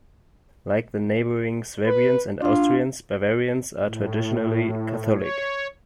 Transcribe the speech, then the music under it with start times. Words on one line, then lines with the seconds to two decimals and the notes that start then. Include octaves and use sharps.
Like the neighboring Swabians and Austrians, Bavarians are traditionally Catholic.
1.87 B4
2.42 D4 F4 F5
3.80 A2
5.16 C#5